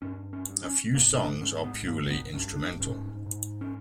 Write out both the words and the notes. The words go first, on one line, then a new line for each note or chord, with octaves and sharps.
A few songs are purely instrumental.
G2 C#4
C#4
G2
C#4
G#2 A#3
D4
G#2 C#4
B3
G2 A#3
B3
G2 C#4
D4
G#2 C#4
G#2
C#4